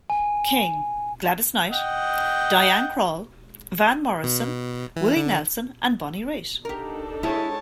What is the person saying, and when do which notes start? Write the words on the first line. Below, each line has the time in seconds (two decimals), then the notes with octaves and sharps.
King, Gladys Knight, Diana Krall, Van Morrison, Willie Nelson and Bonnie Raitt.
0.10 G#5
1.71 D#5 F#5 G5
4.24 B2
4.96 E3
5.17 D3
6.65 D4 D#4 G4 A4 A#4
7.23 G#3 E4 G4 C#5 E5 A5